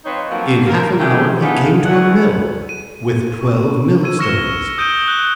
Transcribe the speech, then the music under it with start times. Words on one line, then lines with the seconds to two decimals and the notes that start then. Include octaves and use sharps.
In half an hour he came to a mill, with twelve millstones.
0.05 F3 C4 D#4 B4 C#5
0.31 F2 D#3 F3 F#3 A#3
0.68 A#4
0.99 G#3 A3 G4
1.41 A3 B3 D4 D#4 F4 G#4
1.85 E2 E3 D4 E4 G#4 F#5
2.69 D#7
3.41 C#6
4.03 E6 G#6 D#7
4.19 C#6 F6 A#6 C#7 E7 G7
4.78 D#6 G6 D7 D#7 G7
5.08 D#6 F#6